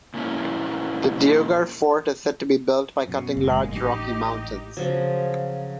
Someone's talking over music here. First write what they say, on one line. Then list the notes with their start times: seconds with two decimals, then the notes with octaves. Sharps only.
The Deogarh fort is said to be built by cutting large rocky mountains.
0.14 A#2 A#3 C#4 E4
3.03 F#2 B2
3.37 F#1 A#2 G#3
3.72 A1 D#4 G4
4.77 C#3 F3 F#3